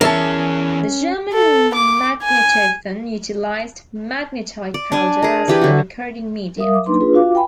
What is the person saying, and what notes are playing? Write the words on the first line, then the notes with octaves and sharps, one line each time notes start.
The German magnetophon utilized magnetite powder as the recording medium.
E3 C#4 G#4 A#4 E5 A5
A4
D6
G#5
D5
D4 G#5
G#4 A#4
E3 G4 B4
D3 F#4
G3 A#4 E5 F5 D#6
F#3 D6
A#3 D4 D#4 B4 C6
D4 F4 G#4 B4
F4 F#4 F5 D6
B4 G5 G#5 B5